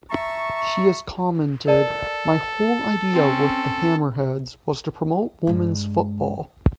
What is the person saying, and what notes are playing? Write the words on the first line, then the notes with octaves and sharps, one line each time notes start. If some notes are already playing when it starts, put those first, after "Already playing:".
She has commented, My whole idea with the Hammerheads was to promote women's football.
E5 A5 A#5 C#6
A4 A#4 D5 A5
C4 C#4
G2 G#3